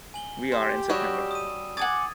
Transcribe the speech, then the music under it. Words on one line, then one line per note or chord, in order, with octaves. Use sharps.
We are in September.
G#5 F#7 G7
G4 C5
G3 F#4 C#5 D#5 E6 E7
D#6 D#7
F#5 G#5 D6 D#6 G#6 A6